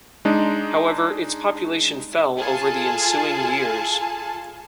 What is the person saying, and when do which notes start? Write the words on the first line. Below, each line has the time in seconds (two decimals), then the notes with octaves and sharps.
However its population fell over the ensuing years.
0.25 G#3 D4 D#4
2.37 F4 G#4 A4 G#5 A5